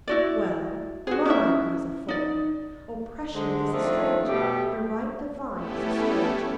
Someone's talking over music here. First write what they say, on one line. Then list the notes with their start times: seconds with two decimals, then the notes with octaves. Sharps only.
Well, the monarchy is a foreigner; oppression is a stranger; the right divine is a stranger.
0.08 E4 F#4 D5
1.07 F#4 G#4
1.25 C#4 E4 E5
2.08 D#4 D5
3.34 D3 G#3 C5
3.72 D#3 F3 A3 C4 D4 F4
4.26 B2 G3 A3 G4
5.55 A3 B3 C#4 E4 G4 A4